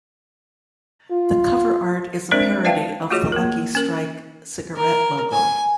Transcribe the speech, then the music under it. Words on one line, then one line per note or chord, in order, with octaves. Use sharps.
The cover art is a parody of the Lucky Strike cigarette logo.
F4
G#3 C4 D4 A#4 C5 D5
B4 D5 E5 F5 G5 A5
A3 F4 F#4 G#4 C#5 D#5
A#3 A#4
C#4 A#4
A#4
G#5